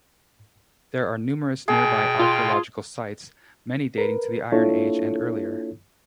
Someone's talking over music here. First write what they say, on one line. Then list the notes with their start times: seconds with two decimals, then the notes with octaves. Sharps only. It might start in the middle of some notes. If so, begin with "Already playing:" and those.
There are numerous nearby archaeological sites, many dating to the Iron Age and earlier.
1.68 B2 G#4 G5 A5
2.19 F4
3.98 A#4 B4
4.52 A#3 D4 E4 F4 A4 C#5